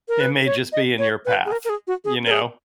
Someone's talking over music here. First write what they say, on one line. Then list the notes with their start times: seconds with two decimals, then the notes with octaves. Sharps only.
it may just be in your path, you know?
0.09 A#4
0.20 B4
0.46 C#5
0.73 D#5
0.99 C#5
1.26 B4
1.46 G#4
1.52 A#4
1.65 A#4
1.69 G#4
1.87 F#4
2.05 G#4
2.26 A#4
2.31 G#4